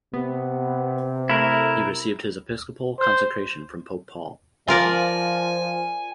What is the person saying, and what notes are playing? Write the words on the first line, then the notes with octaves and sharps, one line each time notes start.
He received his episcopal consecration from Pope Paul.
C3 B3
A3 E4 A#4
C5
F3 F4 A#4 D5 G#5